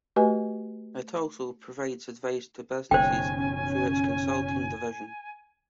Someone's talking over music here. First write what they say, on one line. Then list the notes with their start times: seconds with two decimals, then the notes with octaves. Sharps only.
It also provides advice to businesses through its consulting division.
0.16 A3 F#4 G4 B4 D#5 G#5
2.91 F#1 B2 D#3 C#4 C5 G5 G#5